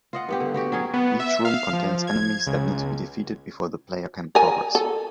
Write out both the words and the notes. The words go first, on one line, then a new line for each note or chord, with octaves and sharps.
Each room contains enemies that need to be defeated before the player can progress.
F4 D#5 F#5
G2 B3 G4
D3
B3 F#4 G4
F#3 C#4 G#4
B3
E5
F5
F3
G#6
C#2
A#4 G#5
A4